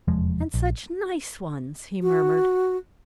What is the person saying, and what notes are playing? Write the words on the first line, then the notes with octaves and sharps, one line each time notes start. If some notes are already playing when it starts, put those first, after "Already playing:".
"And such nice ones," he murmured.
F1 E2 F3 G#3
A#1
F#4